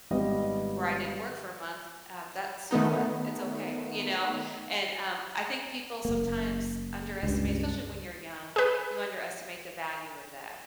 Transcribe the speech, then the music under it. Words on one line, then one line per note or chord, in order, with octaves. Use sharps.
where I didn't work for a month, um, that's so what, it's okay, you know, and, um, I think people sometimes underestimate especially when you're young, you underestimate the value of that.
G#1 G3 B3 D#5
D#3 A3 B3 D#4
F#1 A#3
C#2 G2
G#4 B4